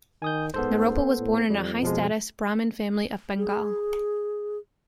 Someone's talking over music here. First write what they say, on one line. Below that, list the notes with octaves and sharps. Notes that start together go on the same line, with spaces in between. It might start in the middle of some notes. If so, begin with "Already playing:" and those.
Naropa was born in a high status Brahmin family of Bengal.
D#3 G#5 D#6 G6
G#2 B3 A4 C5
A2
F2 G3
B2 F3 G#3
G#4